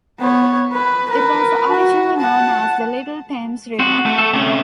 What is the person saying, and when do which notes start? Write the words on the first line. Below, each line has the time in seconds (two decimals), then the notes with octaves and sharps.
It was originally known as the Little Thames River.
0.19 B3 C#5
0.72 B4
1.08 A#4 B4
1.70 F#4
2.18 F#5 A5
3.79 C4 F#4 F#5
4.06 A3
4.18 A4
4.34 C3 A3 C#4